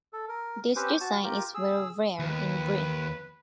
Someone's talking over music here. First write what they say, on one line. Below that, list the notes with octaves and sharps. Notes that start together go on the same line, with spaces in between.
This design is very rare in Britain.
A4
A#4
C4 C#4 G4 B4 C5
F#4 A5
F4 G4 A#4
G#4 E6
D#2 B4